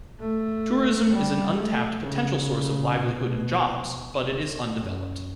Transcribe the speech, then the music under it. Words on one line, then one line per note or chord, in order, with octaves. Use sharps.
Tourism is an untapped potential source of livelihood and jobs but it is undeveloped.
A3
G3
A3
C#3
B2
F#2